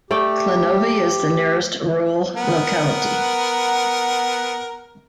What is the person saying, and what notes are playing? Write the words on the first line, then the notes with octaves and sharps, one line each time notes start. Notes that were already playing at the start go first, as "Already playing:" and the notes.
Klinovy is the nearest rural locality.
A3 G4 D5 G5
B3 A#4 F#5